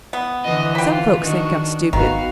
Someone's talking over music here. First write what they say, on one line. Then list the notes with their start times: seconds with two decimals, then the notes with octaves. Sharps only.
Some folks think I'm stupid.
0.13 B3
0.44 D3 E3 D#5
0.75 F4 G5 B5
1.21 D#3 D4 F#4
1.93 G#1 D#3 B3 F#4 F5